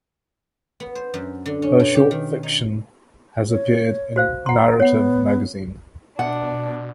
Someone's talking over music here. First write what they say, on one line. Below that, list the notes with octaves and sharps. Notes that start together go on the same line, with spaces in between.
Her short fiction has appeared in "Narrative Magazine".
B3
C5
F#2
D3
C#4
B2
G4
D#3
D#4
C#5
F#4 C5 F5
F#5 A#5 C6
B3 C#5 F#5
B2 D4 F#5